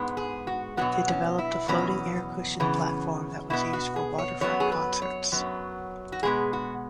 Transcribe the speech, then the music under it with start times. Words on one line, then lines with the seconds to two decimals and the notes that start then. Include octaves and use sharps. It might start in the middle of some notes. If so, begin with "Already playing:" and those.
They developed a floating air cushion platform that was used for waterfront concerts.
Already playing: G#2 G#3 B3
0.17 G#4
0.47 F#4
0.77 B2 F#3 B3 F#4
1.08 C#4
1.38 E4
1.68 E2 B2 F#3 B3 C#4
2.60 F#2 C#3 E3 B3
3.50 B2 B3 E4
3.73 F#4
3.96 G#4
4.18 C#5
4.41 F#2 F#3 B3 C#5
4.60 G#4
4.72 B4
5.02 C#5
5.32 F#2 F#3 B3
6.12 F#4
6.23 B2 G#3 B3 G#4
6.53 F#4